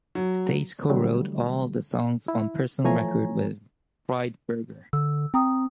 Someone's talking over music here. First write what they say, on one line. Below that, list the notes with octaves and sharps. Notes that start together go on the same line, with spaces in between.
Stace co-wrote all of the songs on Personal Record with Friedberger.
F#3
D3 E3 F#3 G3 A3
E4
E3 F3 A3 C#5 G#5 A#5
D3 E6
C4 G5 A#5 D#6